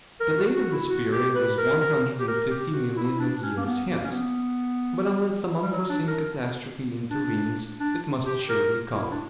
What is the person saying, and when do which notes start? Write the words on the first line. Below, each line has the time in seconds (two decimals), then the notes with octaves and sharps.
The date of this period is one hundred and fifty millions of years hence, but unless some unforeseen catastrophe intervenes, it must assuredly come.
0.21 A#4
0.38 F#4
0.56 F#4
0.72 E4
0.90 F#4
1.13 G4
1.35 B4
1.58 A#4
1.81 A#4
2.20 G4
2.28 A#4
2.50 G4
2.73 F#4
2.97 E4
3.19 D4
3.43 C#4
3.58 A#3
3.66 B3
3.89 A#3
4.05 C#4
4.12 B3
5.63 G3
5.73 F#3
5.90 D4
6.08 A#4
7.11 D4
7.80 D4
8.26 G4
8.49 A#4
8.95 E4
9.11 D4